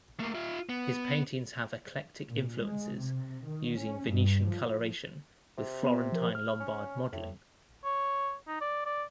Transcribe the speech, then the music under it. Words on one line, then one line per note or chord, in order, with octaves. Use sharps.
His paintings have eclectic influences using Venetian coloration with Florentine-Lombard modeling.
A3 A#3
F4 E5
B3
A#2
G#3
C3
D#3
C#4
G2
F3
C3
B3
F3 A#4
F6
C#4
F2 A2
C#5
D#4
D5
D5